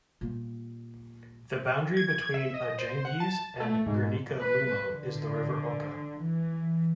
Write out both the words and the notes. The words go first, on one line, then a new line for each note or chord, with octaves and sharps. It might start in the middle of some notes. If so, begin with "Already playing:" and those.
The boundary between Ajangiz and Gernika-Lumo is the River Oka.
A#2 G3
G#6
E5
D#5
C5
F#5
A5
A3
G#2
B4
D3
E3